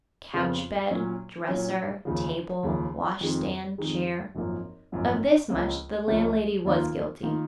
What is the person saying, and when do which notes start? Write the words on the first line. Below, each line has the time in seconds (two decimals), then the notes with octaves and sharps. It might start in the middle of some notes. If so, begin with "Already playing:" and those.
Couch-bed, dresser, table, washstand, chair--of this much the landlady was guilty.
0.33 F2 C#3 F3 B3 F4
0.90 A#2 F#3 C#4
1.48 A#2 F#3 C#4
2.05 D#2 C#3 F3
2.63 D#2 C#3 F3
3.21 F2 D#3 G#3
3.78 F2 D#3 G#3
4.35 G#1 F#2 F3 A#3
4.92 G#1 F#2 F3 A#3
5.50 C#2 C#3 F3 A#3 C#4
6.07 C#2 C#3 F3 A#3 C#4
6.65 D#2 D#3 A#3 F4
7.23 D#3 A#3 F4